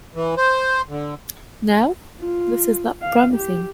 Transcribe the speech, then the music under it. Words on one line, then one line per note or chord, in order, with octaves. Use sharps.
Now, this is not promising.
E3
C5
D3
F4
F5
G4